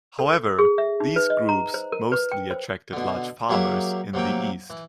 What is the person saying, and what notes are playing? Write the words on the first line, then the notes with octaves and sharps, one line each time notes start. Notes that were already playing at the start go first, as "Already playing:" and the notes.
However, these groups mostly attracted large farmers in the east.
A4
G#4
E5
D#4
B4
D#5
A#5
C5
A#4
B4
G5
C5
B2 D3
F#3 A#3 G4 G#4 E5 F#5
C3 F#3 A#3 G5
E3